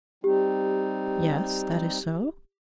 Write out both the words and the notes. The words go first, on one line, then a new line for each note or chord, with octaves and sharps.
"Yes, that is so."
G3 C4 D#4 G4